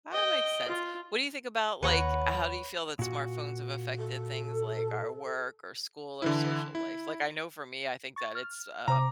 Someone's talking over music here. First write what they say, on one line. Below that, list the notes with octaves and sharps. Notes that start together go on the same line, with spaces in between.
That makes sense. What do you think about, like how do you feel that smartphones have affected things like our work, or school, or social life? Like, I know for me, I think that it's a
D#5 G5
F4
D#2 B4 C#5 F#5 A#5
A#2 F#4
A4
D3 E3 E4
E4
C#6 A6
F6
C3 C5 A#5 D6